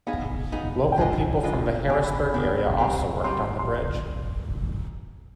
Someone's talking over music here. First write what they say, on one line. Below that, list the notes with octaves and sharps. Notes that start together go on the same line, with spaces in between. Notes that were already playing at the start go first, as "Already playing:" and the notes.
Local people from the Harrisburg area also worked on the bridge.
B3 D#4 G#4 F5
B3 D#4 G#4
G5
G#3 D4 F4 B4 D#5 G#5
G#3 D4 F4 B4 D#5
B3 D4 G4 G#5
B5
B5
B3 D4 G4
G3 C4 G4 B4
G3 C4 G4 B4 C6
C6